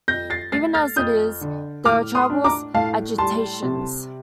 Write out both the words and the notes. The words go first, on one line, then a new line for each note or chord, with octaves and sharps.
Even as it is — there are troubles — agitations.
F2 G6 A#6
A6 C7
A3 A6 C7
F6 A6
F2 D#6 G6
D3
A2 D6 F6
C6 D#6
D4
A#5 D6
A2 F5 A5
G3 A5 C6
C3